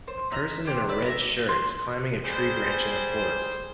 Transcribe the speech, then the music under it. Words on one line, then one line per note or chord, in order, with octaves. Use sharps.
A person in a red shirt is climbing a tree branch in a forrest.
C5
D#5 E5 A#5
G4 C5
B4 D5 E5
E5 A#5
C6
G3 G#4 C5